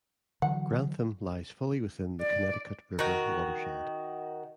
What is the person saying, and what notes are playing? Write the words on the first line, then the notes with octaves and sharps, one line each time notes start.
Grantham lies fully within the Connecticut River watershed.
D3 E3 F#3 F#5
D5
D#3 F#4